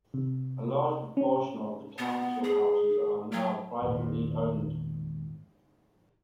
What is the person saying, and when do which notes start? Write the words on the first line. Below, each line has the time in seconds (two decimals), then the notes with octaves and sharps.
A large proportion of the council houses are now privately owned.
0.14 C3
1.17 C#4
1.99 B3
2.44 G#4
3.33 F#3
3.82 G#1 E2 A#2